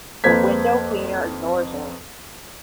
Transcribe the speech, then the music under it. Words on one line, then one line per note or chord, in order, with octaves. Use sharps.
The window cleaner ignores her.
F2 A#3 B4 C5 G#6 B6